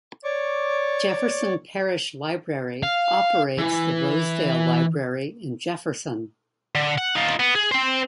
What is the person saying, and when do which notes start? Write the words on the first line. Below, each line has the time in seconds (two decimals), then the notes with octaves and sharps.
Jefferson Parish Library operates the Rosedale Library in Jefferson.
0.24 C#5 D5 C#6 D6
2.83 F5
3.58 E3
6.75 D3
6.98 F#5
7.15 D#4 F4
7.40 B3
7.55 G#4
7.72 C4 C5